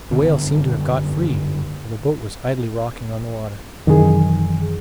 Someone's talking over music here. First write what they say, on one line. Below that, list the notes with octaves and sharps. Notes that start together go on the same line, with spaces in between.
The whale seemed to have got free, for the boat was idly rocking on the water.
F#1 D3 B3 C4
F#2 C3 D#3 E3 G#4